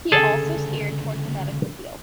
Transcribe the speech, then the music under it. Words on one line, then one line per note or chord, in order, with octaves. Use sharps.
He also steered toward the medical field.
D2 C#3 G#4 A4 A5